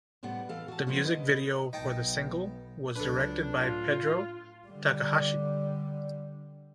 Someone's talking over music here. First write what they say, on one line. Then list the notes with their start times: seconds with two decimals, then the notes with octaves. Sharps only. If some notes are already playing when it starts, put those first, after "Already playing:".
The music video for the single was directed by Pedro Takahashi.
0.23 A2 C3 G3 B3 F#5
0.49 E3 A4 F5
0.68 F#4 A5
0.87 D3 E3 F3 A3 B3 C#4
1.05 B4 D#5
1.73 B1 B3 D#4 G5 A5
2.96 C#2 F#3 D4 A4 B4
3.57 A2 F4
4.68 D3 G3